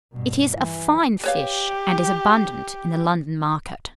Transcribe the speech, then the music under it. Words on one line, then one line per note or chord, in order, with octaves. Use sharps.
It is a fine fish, and is abundant in the London market.
G2 B2
E3
G4 B4 C#5 F5